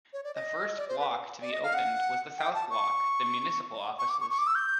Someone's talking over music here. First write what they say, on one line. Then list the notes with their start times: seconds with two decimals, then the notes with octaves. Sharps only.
The first block to be opened was the south block, the municipal offices.
0.13 C#5
0.24 D5
0.35 D#5
0.77 D5
0.88 C5
0.99 B4
1.42 D5
1.52 D#5
1.63 F5
1.74 F#5
2.38 G5
2.54 A5
2.70 C#6
3.99 C#6
4.09 D6
4.20 C#6
4.31 C#6
4.38 D6
4.47 E6
4.55 G6